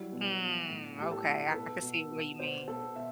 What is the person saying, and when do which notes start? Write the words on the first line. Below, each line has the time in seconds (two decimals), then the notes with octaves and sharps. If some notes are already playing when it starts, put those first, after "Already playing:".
Mm, okay, I can see what you mean.
Already playing: F#3 G3 E4
0.12 B2
0.40 B2
0.69 A2
0.98 A2 G4
1.11 A4
1.25 A2
1.51 B4
1.54 B2 A4
1.82 B2
2.11 B2
2.39 B2 C5
2.68 B2 A4
2.96 B2 E5